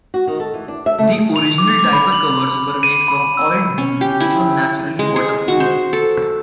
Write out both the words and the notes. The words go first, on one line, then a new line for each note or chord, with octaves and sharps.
The original diaper covers were made from oiled wool, which was naturally waterproof.
F#4
D#3
A4
E3
D4
E5
A3
G#4
F7
D6
D6
B5
F#7
D#7
B5
E6
C#4
G4
E4
G#3
G#4
F#4
C5
A4